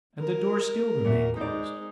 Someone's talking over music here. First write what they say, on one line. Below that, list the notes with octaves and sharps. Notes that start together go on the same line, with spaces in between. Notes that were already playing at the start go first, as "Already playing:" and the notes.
And the door still remained closed!
A#4
A#2 F#4 E5
G#3 D#4 C5 D5